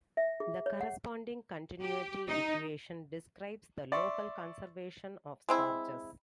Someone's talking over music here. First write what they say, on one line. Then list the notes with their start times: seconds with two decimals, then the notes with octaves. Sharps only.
The corresponding continuity equation describes the local conservation of charges.
0.17 E5
0.40 G#4
0.66 C#5
0.81 F#5
1.81 G4
2.30 D#4
3.92 D5 E5 C6 C#6
5.49 G#3 C4 E4